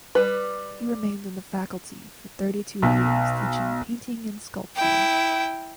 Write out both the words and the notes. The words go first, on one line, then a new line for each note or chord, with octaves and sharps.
He remained on the faculty for thirty two years teaching painting and sculpture.
G3 B4
B1
E4 G5